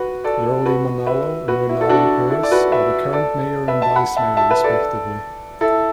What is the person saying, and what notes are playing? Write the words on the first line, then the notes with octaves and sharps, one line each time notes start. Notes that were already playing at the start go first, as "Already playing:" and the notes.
Jurly Manalo and Renato Perez are the current mayor and vice mayor, respectively.
Already playing: F#4 B4
A4 D5
F#4 B4
B4 E5
F#4 B4
E4
A4
D4 F#4
E4 A4
D5
F#4 B4
B4 E5
A4 D5
B4 E5
E5 A5
F#5 B5
E5 A5
E5 A5
B4 E5
A4 D5
E4 A4